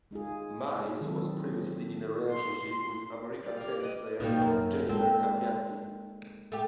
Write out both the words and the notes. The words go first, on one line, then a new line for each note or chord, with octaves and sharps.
Malisse was previously in a relationship with American tennis player Jennifer Capriati.
G#3 D#4 F4 G#4
D#3 E3 F#3 G#3 C4 A4
C6
G3 D5
A#3 G4 F5
B4 D5 D#5
B2 F3 G3 A#3 D#4
F#2 A#4
G#3 C4 A4
A3 G4